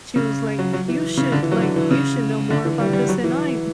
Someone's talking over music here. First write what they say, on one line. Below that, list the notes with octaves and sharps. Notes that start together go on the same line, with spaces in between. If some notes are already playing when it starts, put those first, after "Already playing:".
she was like, "You should like, you should know more about this than I"
C#3
F#3
F#3
E3
C#3
D3
E3
F#3
D3
E3
C#3
D3
E3
G3
G3
F#3
E3